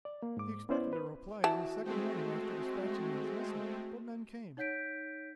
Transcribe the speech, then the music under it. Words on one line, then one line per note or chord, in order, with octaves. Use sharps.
He expected a reply on the second morning after despatching his missive; but none came.
D5
A#3
G#2 D6
B3 C#4 E4 C5 D5
B4
E3 F#4 A5
G#3 A3 C4
D#4 C#5 F#5 G6 B6 D7